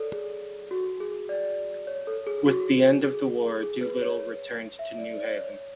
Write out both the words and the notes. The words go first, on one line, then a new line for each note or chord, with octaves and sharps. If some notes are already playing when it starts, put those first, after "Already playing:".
With the end of the war Doolittle returned to New Haven.
Already playing: A4 C#5 D5
G#4
F#4
G#4
D5
C#5
A4
G#4
F#4
G#4
G#4
B4
C#5
E5
D5
D5
C#5